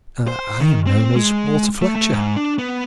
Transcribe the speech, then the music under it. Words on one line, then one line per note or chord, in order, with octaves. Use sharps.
"I am known as Walter Fletcher."
C5
D#3
C4
G#3
A3
A3
G#2
D4
B3